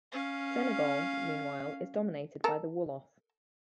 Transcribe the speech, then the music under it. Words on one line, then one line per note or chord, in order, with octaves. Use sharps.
Senegal, meanwhile, is dominated by the Wolof.
C#4 F5
A4 A#4